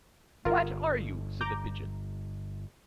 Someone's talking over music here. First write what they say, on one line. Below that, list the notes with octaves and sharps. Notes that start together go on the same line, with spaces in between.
WHAT are you?' said the Pigeon.
G1 F4 A#4
A#5 D6 G6